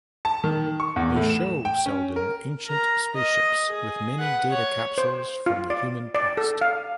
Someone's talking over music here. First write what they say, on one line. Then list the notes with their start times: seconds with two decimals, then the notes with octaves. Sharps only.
They show Seldon ancient spaceships with many data capsules from the human past.
0.25 A5
0.44 D#3
0.80 C#6
0.96 E2
1.16 A2
1.30 E7
1.65 G5
1.86 C#4
2.16 A#4
2.66 A#4 A#5
3.15 D#5
3.69 G#4
4.19 B4 F#5
4.49 C#5
4.98 C5
5.46 F4
5.70 D5
6.15 D5
6.37 A4
6.61 F5